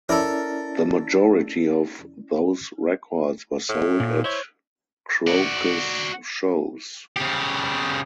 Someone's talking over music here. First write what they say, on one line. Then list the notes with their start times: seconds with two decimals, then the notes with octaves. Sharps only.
The majority of those records were sold at Croce's shows.
0.09 C#4 E4 A4 A#4 D5
3.69 A2
4.00 A#2
4.24 E4 C5 C#5
5.27 F#4 D5
7.16 C#3 G4